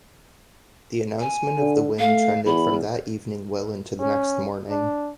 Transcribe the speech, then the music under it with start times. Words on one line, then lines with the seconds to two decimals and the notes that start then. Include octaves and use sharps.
The announcement of the win trended from that evening well into the next morning.
1.20 G#5
1.60 D3
1.99 A3 F5
2.46 E2 B5
4.00 C#4
4.70 D4